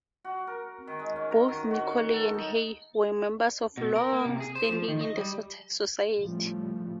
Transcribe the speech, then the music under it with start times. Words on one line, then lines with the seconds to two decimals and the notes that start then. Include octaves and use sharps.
Both Nicolay and Hay were members of long standing in the society.
0.24 F#4
0.47 A#4
0.87 D#3
0.99 G#3
1.16 C#4
1.31 A#5
1.48 D#3
1.71 F#4
1.93 C#5
2.13 A4
2.34 D#4
3.78 B2
3.96 A#4
4.13 A#3
4.25 C3
4.40 G#4
4.55 C5
4.70 F3
4.88 D#3
5.01 D#5
5.17 G3
6.18 A2 C#3 F3 G3 A3